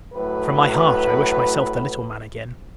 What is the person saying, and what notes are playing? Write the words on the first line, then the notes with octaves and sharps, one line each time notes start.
From my heart, I wish myself the little man again!
A2 F#3 B4